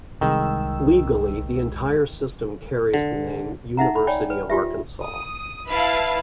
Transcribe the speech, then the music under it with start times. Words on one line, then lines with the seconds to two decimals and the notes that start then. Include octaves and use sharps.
Legally, the entire system carries the name University of Arkansas.
0.21 C2 D#3 G#3 E6
2.94 D3
3.77 D#4 E5 F#5 A#5
3.96 B5
4.07 C#5 D5 G5 G#5 B5
4.30 B4
4.50 F4 G4 E5
5.03 D#6
5.68 E4 B4 F5 A5